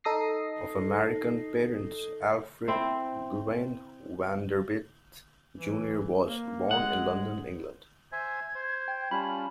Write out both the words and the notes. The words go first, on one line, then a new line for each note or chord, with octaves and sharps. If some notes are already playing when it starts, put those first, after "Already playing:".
Of American parents, Alfred Gwynne Vanderbilt, Junior was born in London, England.
D#4 A4 D#6 A#6 C7
C4 E4 C5
E3
A#3
G#3 F#5
C5 E5 G#5 G#6
C5
G5
G3 C#4 F4 A5 B5